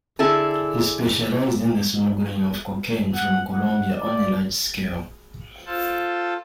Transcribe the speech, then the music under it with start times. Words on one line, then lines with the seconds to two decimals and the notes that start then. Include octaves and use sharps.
He specialized in the smuggling of cocaine from Colombia on a large scale.
0.19 D3 E4 G#4 A4
3.15 F#5
3.54 F#5
3.96 D5
5.66 F4 A4 C5 A5